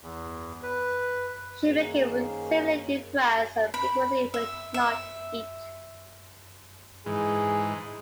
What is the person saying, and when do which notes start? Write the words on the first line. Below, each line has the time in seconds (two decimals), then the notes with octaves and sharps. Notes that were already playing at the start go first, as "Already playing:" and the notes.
She became severely depressed, and frequently would not eat.
0.01 E2
0.63 B4
1.66 G#2 D#3 A#3 C#4 G#4
3.74 B5
4.34 E5
4.74 E5
7.06 G#2 E3 G#4